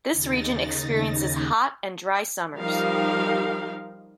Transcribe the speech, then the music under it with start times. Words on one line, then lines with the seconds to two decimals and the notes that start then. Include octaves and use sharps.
This region experiences hot and dry summers.
0.11 D#2 C#3 D#4 A6 A#6
2.56 F3 G3 D#4 G4 A#4 F5